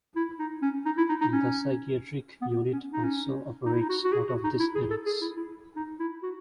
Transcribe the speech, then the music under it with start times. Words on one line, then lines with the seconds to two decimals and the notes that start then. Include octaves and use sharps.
The psychiatric unit also operates out of this Annex.
0.16 E4
0.39 D#4
0.62 C#4
0.86 D#4
0.98 E4
1.09 D#4
1.21 D#4
1.32 C#4
2.41 B3
2.73 C#4
2.93 D#4
3.04 C#4
3.66 D#4
3.73 E4
3.80 D#4
3.89 F#4
4.04 F#4
4.13 G#4
4.28 F#4
4.44 D#4
4.60 E4
4.75 G#4
4.90 A4
5.06 G#4
5.22 E4
5.37 E4
5.76 D#4
6.00 E4
6.23 F#4